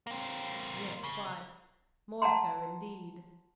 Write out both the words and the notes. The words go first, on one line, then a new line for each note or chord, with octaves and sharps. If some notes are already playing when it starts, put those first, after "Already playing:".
"Yes, quite--more so, indeed."
A#3 C4
C#3
F#5 A5 A#5 C6